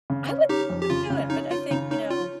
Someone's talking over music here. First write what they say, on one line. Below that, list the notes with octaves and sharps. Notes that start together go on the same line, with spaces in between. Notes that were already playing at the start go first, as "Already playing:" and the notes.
I would think so too, and but I think, you know
C#3
C#4
C#4 D#4 G4
F2
G4
C#3 F4
C#3
C#4 D#4
C#4 F4
C#3 D#4
C#4 D#4
C#4 F4